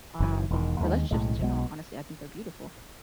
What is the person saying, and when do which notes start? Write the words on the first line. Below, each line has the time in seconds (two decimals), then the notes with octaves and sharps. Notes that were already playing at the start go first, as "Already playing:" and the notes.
um, relationships in general, honestly, I think they're beautiful.
0.20 F#1 F#2 E3
0.50 E1 E2 D#3
0.80 D#2 D#3 G#3
1.11 B1 A2 G#3
1.40 B1 B2 G#3 B3